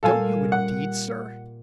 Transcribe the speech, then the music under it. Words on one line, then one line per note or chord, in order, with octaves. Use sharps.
'Don't you, indeed, sir?'
A#2 G3 A4 F5 G#5
F#5